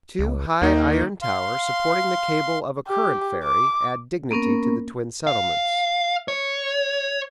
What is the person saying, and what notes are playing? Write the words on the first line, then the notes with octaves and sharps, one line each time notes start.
Two high iron towers supporting the cable of a current ferry add dignity to the twin settlements.
C#2
D#2 D#3 A#3 D#4
F5 C6
G4
D6
A#3 B3 C#4 A#4
F5
C#5